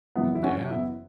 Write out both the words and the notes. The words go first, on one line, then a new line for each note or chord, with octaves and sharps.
Mm, yeah,
F#1 F#2 E3 B3 E4
E4
C#4 F#4
B3 E4